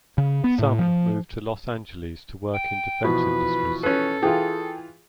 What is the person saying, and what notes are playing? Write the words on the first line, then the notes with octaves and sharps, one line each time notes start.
Some moved to Los Angeles to work in defense industries.
C#3
B3
A2
F3
G5
B2 E3 F3 B4
C#4 A4 B4
E3 F4 G#4 G5